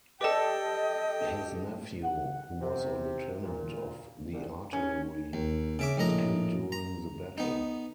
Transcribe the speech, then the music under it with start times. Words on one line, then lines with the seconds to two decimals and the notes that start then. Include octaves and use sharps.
His nephew, who was a Lieutenant of the artillery, was killed during the battle.
0.21 G4 A4 B4 D5 D#5 G5 A5
2.03 F#5
2.61 C3
3.43 A#2
4.34 C2
4.73 C#4
5.33 D#2
5.79 C#3 E5 D6
5.97 A#1 A2 D#5 A#5
6.72 A#5
7.38 B3 D#4